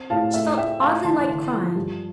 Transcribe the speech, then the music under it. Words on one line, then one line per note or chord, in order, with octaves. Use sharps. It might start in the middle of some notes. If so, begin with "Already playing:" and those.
She felt oddly like crying.
Already playing: C4
A2 F5 A5
A3 E5
A3 E5 G5
A3 F5 A5
E3 A5 C6
D3
F3
G2